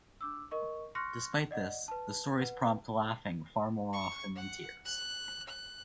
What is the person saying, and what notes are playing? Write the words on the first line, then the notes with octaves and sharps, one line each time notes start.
Despite this, the stories prompt laughing far more often than tears.
D4 D6 E6
A#4 D#5 C#6
C6 C#6 F6 F#6 A#6 C#7
D5 D#5 F#5
B4 A5
B4 F#5
C#6
F#5
F#6
F#6